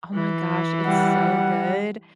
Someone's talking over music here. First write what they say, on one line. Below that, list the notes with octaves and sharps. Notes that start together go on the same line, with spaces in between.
oh, my gosh, it's so good,
E3
G3 F#5